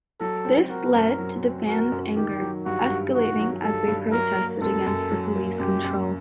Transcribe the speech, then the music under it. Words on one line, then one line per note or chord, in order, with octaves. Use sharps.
This led to the fans' anger escalating as they protested against the police control.
F#3 A4
C4
F#4 A#4
F#2
F#3
C4
F#4 A#4
F#2
D#3 G4
F#3
G2 F#4
G2
D#3 F#4
F#3
G2 A4
G2
F#3 A#4
A#3
F#2 A4
F#2
F#3
A#3
F#2 G4
F#2